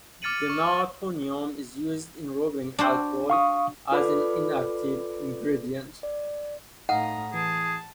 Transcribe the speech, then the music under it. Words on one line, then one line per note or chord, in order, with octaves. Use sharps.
Denatonium is used in rubbing alcohol as an inactive ingredient.
D6 F6 A6 C#7 D#7 F#7
C#6
D4 F#4 C5
F5 C#6 D#6
F4 A4 B4 D5 B5 D6
D5
A2 D#4 F5 F#5 A#5 D#6
E3 G#4 A5